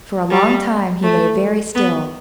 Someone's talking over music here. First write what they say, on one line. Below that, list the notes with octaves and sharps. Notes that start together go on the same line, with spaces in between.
For a long time he lay very still.
G3
A3
B3